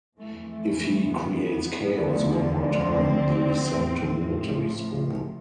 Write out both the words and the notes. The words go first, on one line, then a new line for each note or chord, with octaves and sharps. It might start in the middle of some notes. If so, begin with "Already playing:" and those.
If he creates chaos one more time, he'll be sent to military school.
F2 E3 A3
A3
A3
B3
D2 D3 F3
C4
A2 F3